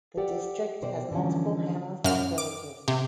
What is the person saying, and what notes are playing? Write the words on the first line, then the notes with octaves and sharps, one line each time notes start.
The district has multiple hamlets and villages.
G4 A4 D5 F#5 G5
B2 C5 D5 G5
D3 E3 F3 G3 C#4
F#2 F6
D6
C3